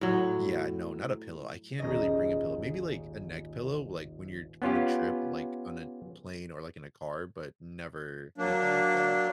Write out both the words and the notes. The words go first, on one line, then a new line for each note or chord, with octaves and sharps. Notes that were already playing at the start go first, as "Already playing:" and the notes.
yeah, no, not a pillow, I can't really bring a pillow, maybe, like, a neck pillow, like, when you're on a trip, like, on a plane or, like, in a car, but never anything like that.
A2 F#3
D#1 G#1 C#4 D#5
B3 C#4 F4 G4
F#3 A#3 D4